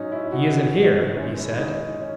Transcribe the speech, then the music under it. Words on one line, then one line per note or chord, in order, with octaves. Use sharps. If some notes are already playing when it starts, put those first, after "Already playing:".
"He isn't here," he said.
Already playing: G#2 F#3 C#4 D#4
C#4 E4
D#4 F#4
F#2 D#3 G#3 C#4 E4
C#4 E4
D#4
D#4
C#4